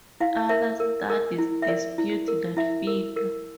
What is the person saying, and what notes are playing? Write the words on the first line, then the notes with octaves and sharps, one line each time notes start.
Other studies dispute that figure.
E4 F5
A#4 E5
A#4
A#4
E4
E5
A#4 D5
E4
A#4
E4 E5
A#4
A#4